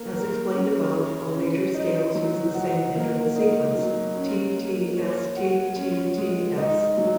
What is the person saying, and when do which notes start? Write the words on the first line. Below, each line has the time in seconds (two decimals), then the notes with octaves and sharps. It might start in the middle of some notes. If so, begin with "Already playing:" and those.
As explained above, all major scales use the same interval sequence T-T-S-T-T-T-S.
Already playing: A#3
0.13 A#4
0.53 C#4
0.94 G#4
1.34 C#4
1.74 D#4
2.15 F#3
2.55 F#4
2.95 A#3
3.35 D#4
3.76 F#3
4.16 C#4
4.56 A#3
4.97 C#5
5.37 F#4
5.76 C#4
6.17 G#3
6.58 D#4
6.98 F#3